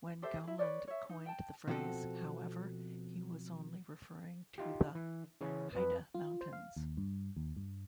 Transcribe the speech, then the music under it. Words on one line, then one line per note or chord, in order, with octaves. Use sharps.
When Gowland coined the phrase, however, he was only referring to the Hida Mountains.
G4 A4 C5 E5
E4 G#4
B4 C#5 D5
C#5 E5
D#4
G5 A5
B2 F3 C4 F#4 A4
D#4 F4 G4
E3
C#3 E3 C#4
F2 B4
F4
C5
F5
D#2
G2
D#2
G2